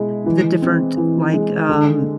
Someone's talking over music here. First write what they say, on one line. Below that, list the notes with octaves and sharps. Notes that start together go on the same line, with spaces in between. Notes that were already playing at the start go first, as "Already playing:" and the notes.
the different, like, um
Already playing: B2 G#3 E4
E3
C4
E3
G#3
D3